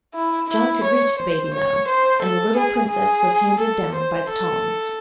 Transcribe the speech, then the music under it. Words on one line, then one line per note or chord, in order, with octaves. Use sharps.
John could reach the baby now, and the little princess was handed down by the tongs.
E4
E4
C#5
C5
C#5
C5
A4
G#4
G#4
A4
C5
A4